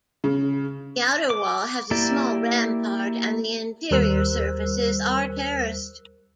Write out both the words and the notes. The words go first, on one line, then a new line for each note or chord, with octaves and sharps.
The outer wall has a small rampart, and the interior surfaces are terraced.
C#3
D6
A#3 E4 G4 D5
D#2 G3 A#4 C5 E6 F#6